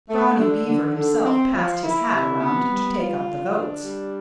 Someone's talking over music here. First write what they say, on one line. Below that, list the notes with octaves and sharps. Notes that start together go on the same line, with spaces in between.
Brownie Beaver himself passed his hat around to take up the votes.
A3
D3
D3
D3
C4
F3
E4
C3
B3
G3
F4
D3
D4
G3